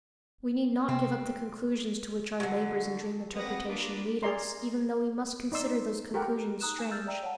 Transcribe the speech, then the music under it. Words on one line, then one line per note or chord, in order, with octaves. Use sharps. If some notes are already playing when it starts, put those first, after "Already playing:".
We need not give up the conclusions to which our labors in dream interpretation lead us even though we must consider those conclusions strange.
C3 C4
D3 F#3
A#3 C4 B4 F#5 D#6 A#6
A#3 D4 F4 B4 D6
G#4 A#4 D5 A#5 C6
D#4 D5 C6 E6
G4 A4 A#4 F#5 G5
D#4 A#5 D#6 F#6 E7
G#5 E7
E6 F6 G6 A6
D5 E5 G5 A#5 E6
C#5 F5 F#5 A5